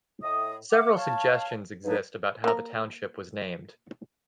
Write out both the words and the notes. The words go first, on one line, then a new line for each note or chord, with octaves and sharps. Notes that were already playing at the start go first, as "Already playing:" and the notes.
Several suggestions exist about how the township was named.
A2 D#5 D#6
E5 F#5 D6
C#5 F5 A5
F2 G#2 F#3 D4 D#4 B4
A#3 A#4